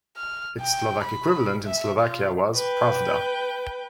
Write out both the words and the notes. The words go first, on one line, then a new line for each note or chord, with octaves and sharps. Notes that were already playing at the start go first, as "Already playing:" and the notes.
Its Slovak equivalent in Slovakia was "Pravda".
F6
G5
B5
E5
F4
B4 G5